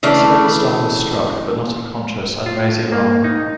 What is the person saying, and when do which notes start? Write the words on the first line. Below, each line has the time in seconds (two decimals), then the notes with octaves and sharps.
Sylberstein was struck but not unconscious, and raised the alarm.
0.03 C#3 E3 A3 D4
2.46 F4
2.92 A#3
3.24 D#4